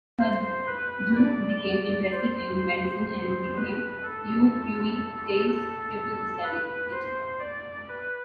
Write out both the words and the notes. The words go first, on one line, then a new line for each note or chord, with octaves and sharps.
Hur Jun became interested in medicine and became Yoo Ui-tae's pupil to study it.
C5
B4
D5
C5
C5
B4
A4
A4
B4
C5
D5
B4